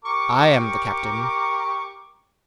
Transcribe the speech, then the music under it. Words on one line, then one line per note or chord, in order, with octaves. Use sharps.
"I am the captain."
G4 A#4 C#6 D6